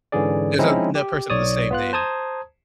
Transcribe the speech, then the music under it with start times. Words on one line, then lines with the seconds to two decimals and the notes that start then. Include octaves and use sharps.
There's another person with the same name.
0.12 G#2 D3 E3 C#4 G#4 D5
0.59 F3 G#3 C4 C#4 D#4 E4
0.95 G4
1.30 B1 C#5 D5 D#6
1.71 B3 F4 F#6
1.93 C5 A5 A#5 D#6 G#6